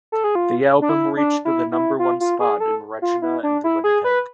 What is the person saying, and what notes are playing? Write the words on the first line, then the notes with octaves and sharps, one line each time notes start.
The album reached the number one spot in Regina and Winnipeg.
A4
G#4
F4
D4
E4
D4
E4
E4
F4
F4
G#4
A4
F4
E4
D4
E4
G#4
B4